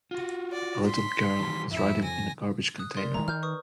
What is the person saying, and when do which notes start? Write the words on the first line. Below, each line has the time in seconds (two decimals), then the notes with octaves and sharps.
A little girl is riding in a garbage container.
0.11 F4 F#4
0.52 D5
0.87 C6 B6
1.40 D#3 E3 G3
1.71 F2 E4 E5
2.03 G#5 A#6
2.79 D#6 F#6
2.97 A#4 D5 C6
3.14 D#3 G#3 A3 A#5
3.28 D#3 F6 G6
3.43 B4 C#6 D#6